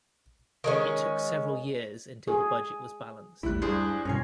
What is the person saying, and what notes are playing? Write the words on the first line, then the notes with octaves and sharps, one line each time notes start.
It took several years until the budget was balanced.
D#3 G#3 C#4
G#4
A1 D#2 G3 A3 E4 F#6
G2 G3 D4 G#4 C5
G2 B2 C#4 C#5 G#5 A#6 C7